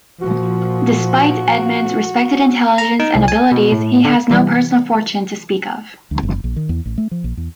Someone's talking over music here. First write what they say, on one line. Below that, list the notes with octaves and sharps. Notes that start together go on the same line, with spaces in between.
Despite Edmund's respected intelligence and abilities, he has no personal fortune to speak of.
A#2 F3 F#4
A#5
D#4
C2
G#5
B2
A2
D3
C3 E3 G3
D2
F#1
A#1
D#3
E2
A1
A3
F3
A#1
E2